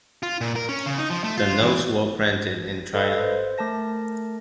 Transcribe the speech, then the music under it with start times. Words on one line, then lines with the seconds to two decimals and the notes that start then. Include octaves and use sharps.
The notes were printed in China.
0.23 F4
0.41 A#2
0.56 A#4
0.69 C#4
0.86 C#3
0.98 D#4
1.10 F3
1.24 A3
1.38 F4
1.62 E3
2.94 A4 B4 D#5 F5
3.20 C5
3.58 A3 A#4 A5 A#6